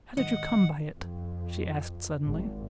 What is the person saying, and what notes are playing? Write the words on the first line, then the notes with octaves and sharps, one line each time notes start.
"How did you come by it?" she asked, suddenly.
G#2 C3 D#3 G#3 D#5 F#5
F2
G#1